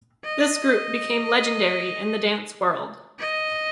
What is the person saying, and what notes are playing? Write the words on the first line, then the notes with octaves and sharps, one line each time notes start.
This group became legendary in the dance world.
D#5
D#5